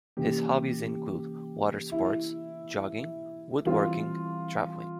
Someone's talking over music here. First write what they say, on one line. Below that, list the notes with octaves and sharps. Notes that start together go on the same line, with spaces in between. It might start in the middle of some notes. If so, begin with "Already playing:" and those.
His hobbies include: water sports, jogging, woodworking, traveling.
C3 E3 A#3 C#4 G4
E4
E3 G3 C4 F4